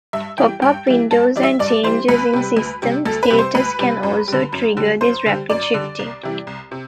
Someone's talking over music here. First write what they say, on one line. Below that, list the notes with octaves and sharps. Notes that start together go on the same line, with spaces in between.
Pop-up windows and changes in system status can also trigger this rapid shifting.
G2 E5
E3 G3 G5
G2 G5
E3 G3
G2 A5
E3 G3 D5
E5
G2 D5
E3 G3 C5
D2 B4
C3 G3
D2
C3 G3
D2 A4
B4
C3 G3
C5
D2 B4
C3 G3
F#2
D3 G3
F#2
D3 G3
F#2 C5
D3 G3
F#2 D5
D3 G3
C2
C3 E3 G3
C2
C3